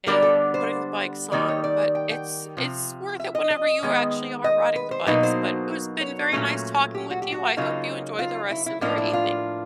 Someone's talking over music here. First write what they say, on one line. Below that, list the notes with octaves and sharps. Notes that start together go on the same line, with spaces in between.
and putting the bikes on, but it's it's worth it whenever you actually are riding the bikes, but it has been very nice talking with you, I hope you enjoy the rest of your evening.
D3 G3 B3 D4 A#4
A4
C5
D#3 G3 A#3 D#4 D5
C#5
D5
G5
G5
C3 F3
E5
D#5
D#5
D#3 G#3 B3
D#5
B4
C5
B2 F#3 A#3 D#4 B4
C5
C#5
A#2 F#3 A3 C#4
G4
F#4
G4
F#4
C#3 F#3 A#3 D#4 F4
F4
E4
E4
A2 F3 A#3 D4 D#4
E4
F4